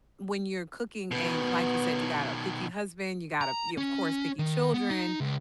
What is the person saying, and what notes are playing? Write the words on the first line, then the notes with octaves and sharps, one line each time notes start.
when you're cooking and, like you said, you got a picky husband, you got a you of course, picky children.
B2 D#3 B3
A#5
C#4
D#3
B3
D#4
C#2